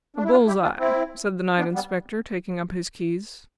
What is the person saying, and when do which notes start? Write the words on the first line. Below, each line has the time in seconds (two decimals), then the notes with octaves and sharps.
'A bull's-eye,' said the Night-Inspector, taking up his keys.
0.16 D4
0.24 E4
0.31 D4 F4
0.47 E4 G4
0.63 D4 F4
0.79 C4 E4
1.58 B3 D4
1.75 G3 B3